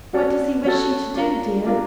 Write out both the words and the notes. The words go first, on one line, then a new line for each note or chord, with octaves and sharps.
'What does he wish you to do, dear?'
C#4 F#4 A4 D5
C#4 F#4 A4 C#5
D4 F4 A#4
D4 F4 A#4